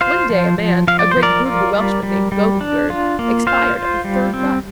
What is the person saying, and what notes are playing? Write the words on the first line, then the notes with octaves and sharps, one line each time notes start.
One day a man, a great brute of a Welshman named Gogangerdd, expired at the third butt.
F4 C5 F5
F3
F3
F3 F5
D5
C5
F3
A#4 D5
F4
G3
G3
G3
D4
F4
A#3
F4 C5 F5
F4
G3
C4